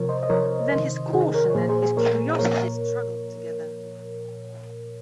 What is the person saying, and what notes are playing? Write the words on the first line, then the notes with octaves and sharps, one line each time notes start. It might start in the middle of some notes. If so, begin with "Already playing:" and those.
Then his caution and his curiosity struggled together.
Already playing: C3 F3 A#4 C#5
C5 D#5
D#5
C3 F3 A#4 C#5
C3 D#3 C5 D#5
C3 D#3 G#4 C5
A#4 C#5
C#5
A#2 F3 G#4 C5
G#4 C5
G#4 C5
A#2 F3 A#4 C#5
A#2 F3 A#4 C#5